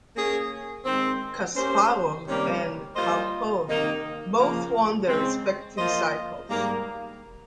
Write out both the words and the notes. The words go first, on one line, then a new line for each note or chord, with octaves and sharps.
Kasparov and Karpov both won their respective cycles.
A#3 C#4 G#4
D#3 G#3 C4
A#3 C#4 G4 C5
C3 D#3 G3 A#3 C#4
G3 A#3 F4 C5 D#5
C3 D#3 A#3 D#4
C#3 F3 A#3
C#3 G#3 C4
F3 A#3 F4 C5 D#5
G#2 G3 A#3